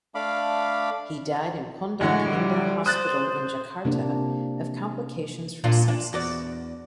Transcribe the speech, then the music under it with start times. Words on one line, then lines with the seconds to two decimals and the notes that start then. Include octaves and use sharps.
He died in Pondok Indah Hospital in Jakarta of complications from sepsis.
0.15 A3 D4 F5 B5 D6
2.01 A2 D3 G#3 F#4
2.26 G3
2.86 C5 D#6 F#6 A6
3.85 C3 A#3 D4
5.64 A#2 D4 F4
5.88 D4
6.13 E2 F#4 D5